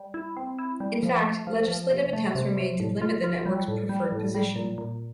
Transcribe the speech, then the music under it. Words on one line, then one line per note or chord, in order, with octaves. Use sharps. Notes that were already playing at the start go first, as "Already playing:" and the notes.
In fact, legislative attempts were made to limit the network's preferred position.
Already playing: G3
E4
C4
E4
G3
F3
A3
F3
F3
C3
A3
C3
C3
A2
F4
F4
G3
A2
G3
A2
G3
A#2
A#2